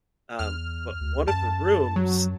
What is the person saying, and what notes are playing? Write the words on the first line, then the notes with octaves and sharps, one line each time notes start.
um, but one of the rooms
E2 F6
D2
F#2 A5
F#3